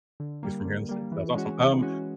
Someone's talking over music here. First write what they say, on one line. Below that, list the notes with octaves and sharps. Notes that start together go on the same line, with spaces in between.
He's from here in the states. That's awesome. Um,
D3
G3 A#3
D3
G3 A#3
E3
G#3 C#4 F#4
E3
G#3 C#4 F#4